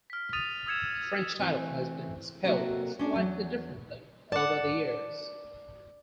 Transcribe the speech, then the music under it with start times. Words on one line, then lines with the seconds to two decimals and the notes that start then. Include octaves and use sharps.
The French title has been spelled slightly differently over the years.
0.10 F6 B6
0.33 D#6 A6 D#7 F7
0.66 D#6 E6 G#6 C#7 E7
1.39 E3 A3 C4
2.45 C3 F#3 A#3 F#4 A4 E5
2.99 C#4 D4 E4 D5
3.13 E2 F#3
4.32 D5 F#5 A5